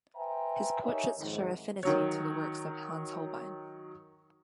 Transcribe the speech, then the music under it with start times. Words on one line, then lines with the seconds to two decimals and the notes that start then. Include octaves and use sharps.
His portraits show affinity to the works of Hans Holbein.
0.16 B4 C5 E5 G5 G#5 A#5
0.82 D#4 G4 A#4 C#5 E5 G#5
1.19 F2 G#2 D#3
1.83 D#3 F#3 C#5